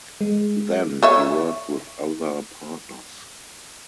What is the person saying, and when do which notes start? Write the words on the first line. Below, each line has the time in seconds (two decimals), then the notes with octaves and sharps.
Then, he worked with other partners.
0.21 G#3
1.03 A4 C#5 E5